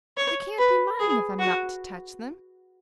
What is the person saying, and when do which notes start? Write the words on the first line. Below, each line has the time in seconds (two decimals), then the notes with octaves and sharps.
"They can't be mine, if I'm not to touch them."
0.17 C#5
0.58 B4
0.99 G#4
1.39 F#4